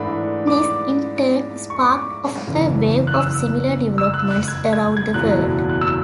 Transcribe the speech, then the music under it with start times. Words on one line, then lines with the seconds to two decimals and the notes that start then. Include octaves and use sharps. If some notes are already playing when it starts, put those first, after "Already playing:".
This, in turn, sparked off a wave of similar developments around the world.
Already playing: G#2 E3 A3 D4 B5
0.47 D6
1.70 C#6
1.80 D6
2.47 F#1 E2 C#3 E3
3.07 F#6
3.14 E6
3.98 E6
4.14 F#6
4.31 F#6
4.48 G#6
4.73 G#6
4.97 G#6
5.14 F#1 E2 B2 F#3 A3 F#6
5.69 F#6
5.81 E6